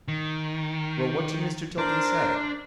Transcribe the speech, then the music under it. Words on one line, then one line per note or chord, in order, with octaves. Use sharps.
"Well, what did Mr. Tilden say?"
D#3
D4 A#4 C5